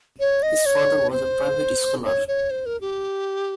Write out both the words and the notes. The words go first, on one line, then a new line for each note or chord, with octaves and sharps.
His father was a private scholar.
C#5
D#5
C#5
C5
C#5
C#5
C5
A#4
G4